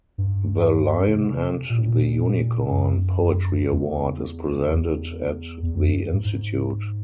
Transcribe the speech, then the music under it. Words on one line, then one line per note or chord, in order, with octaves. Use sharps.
The "Lion and the Unicorn" Poetry Award is presented at the institute.
G2
C#3
C3
A#2
A2
A#2
F#2
E2
E2
E2
F2
F#2
G#2
G#2